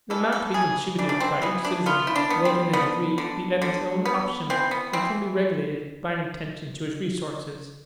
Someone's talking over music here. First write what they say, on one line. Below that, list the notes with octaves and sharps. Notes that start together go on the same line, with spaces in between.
The amount to be contributed by each citizen will in a degree be at his own option, and can be regulated by an attention to his resources.
E3 A4
A4
E3 G#4
E3 D4
D4
C4
E3 B3
D4
B3 F4
E4
D4
B3
C4
D3 B3
D3
D3
B3
E3 C4
B3
E3 C4